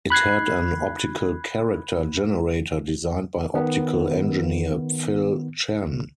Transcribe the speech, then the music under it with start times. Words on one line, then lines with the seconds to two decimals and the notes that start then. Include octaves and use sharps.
It had an optical character generator designed by optical engineer Phil Chen.
0.10 B5 F#6 G#6 C7
3.54 D#3 B3